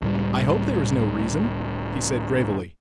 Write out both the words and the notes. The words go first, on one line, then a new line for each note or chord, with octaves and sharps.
"I hope there is no reason," he said gravely.
C#2 A2 G3